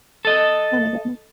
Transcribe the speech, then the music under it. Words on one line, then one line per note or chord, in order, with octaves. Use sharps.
Oh my god.
A4 D#5